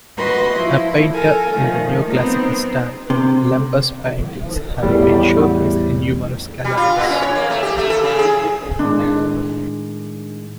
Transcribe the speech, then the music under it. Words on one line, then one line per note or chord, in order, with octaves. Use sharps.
A painter in the neoclassical style, Lemper's paintings have been showcased in numerous galleries.
F#4 B4 D#5 C6
F3 E4
A4 A#4 G#5
D#3 F3 A3
B3 C4 D#4
C3
E2 A2 G3
G3
F4
A#2
C#4
C#5
A#3
A3
G4
A3
A4
C#3
G#4
A2 D#3 G#3 D4